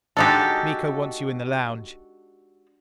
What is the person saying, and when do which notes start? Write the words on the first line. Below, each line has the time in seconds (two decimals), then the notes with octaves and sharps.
"Miko wants you in the lounge."
0.17 G#3 D4 D#4 F#4 G4 A4